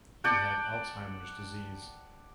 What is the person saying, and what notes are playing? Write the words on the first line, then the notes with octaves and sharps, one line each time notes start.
He had Alzheimer's disease.
D5 F#5 G5 A5